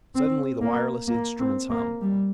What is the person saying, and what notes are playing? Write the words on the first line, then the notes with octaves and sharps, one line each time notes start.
Suddenly the wireless instruments hummed.
C4
A#3
A#3
C4
A#3
G3